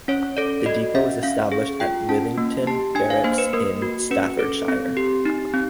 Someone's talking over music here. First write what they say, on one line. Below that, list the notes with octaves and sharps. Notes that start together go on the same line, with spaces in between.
The depot was established at Whittington Barracks in Staffordshire.
C#4 C#5
A4 D5
F#4 D#5
C#4 E5
C#4 F5
G#4
F4 G5
C#4 A5
A#3
G4 A5
D4 G#5
F5
A#3 C5
B4
A#3 A#4
F#4
C#4 B4
A4
C4
G4
D#4
C4